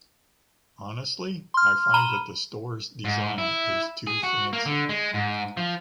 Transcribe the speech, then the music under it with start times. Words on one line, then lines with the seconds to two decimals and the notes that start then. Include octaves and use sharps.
Honestly, I find that the store’s design is too fancy.
1.54 C6 F6
1.94 A#5 B5 D#7 E7 G7
3.05 G#2
3.38 E4
4.07 G#4
4.23 F#4
4.53 A#3
4.66 D3
4.89 G#3
5.14 G#2
5.57 F3